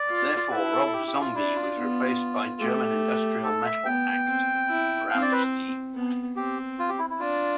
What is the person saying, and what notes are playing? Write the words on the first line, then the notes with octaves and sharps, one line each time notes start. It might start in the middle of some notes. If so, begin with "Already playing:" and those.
Therefore, Rob Zombie was replaced by German industrial metal act, Rammstein.
Already playing: D5
F4
E4 B4
A4
A4
G4
G4
F4
D4 E4
F4
B3
A3 G4
A4
E5
B3 G5
C4
E4
C4 F5
D5
B4
B3
C4 G4
F4
G4
E4
E4
D4 F4